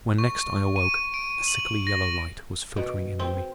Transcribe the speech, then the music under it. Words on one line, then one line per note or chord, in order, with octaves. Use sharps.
When next I awoke, a sickly yellow light was filtering in on me.
C#6
D#7
D7
F#7
A#6
B2
C4